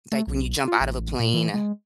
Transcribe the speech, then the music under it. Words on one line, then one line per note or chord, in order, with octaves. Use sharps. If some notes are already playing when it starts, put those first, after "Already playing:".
like, when you jump out of a plane
A3
B1
F4
A1
A#2
E3
G#3